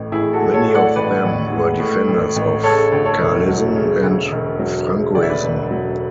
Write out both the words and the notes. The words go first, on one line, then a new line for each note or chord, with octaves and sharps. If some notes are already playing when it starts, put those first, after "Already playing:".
Many of them were defenders of Carlism and Francoism.
Already playing: A1 A2
A1 E4 G#4
F#4 A4
G#3
A4 C#5
A2
D5 F#5
A1 B4 D5
A1
G#3
A2
A1
A1
C#3 A4 C#5
D2
A4 C#5
E1
F#3
C#3
D2
E1
F#3
C#3
D2 D5
E5
B4 D5
E1
F#3